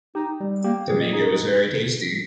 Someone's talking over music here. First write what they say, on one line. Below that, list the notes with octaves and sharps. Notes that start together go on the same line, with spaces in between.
The mango was very tasty.
D#4 G4
G3
A#3 G4
A#2 G#4
D#4 G#4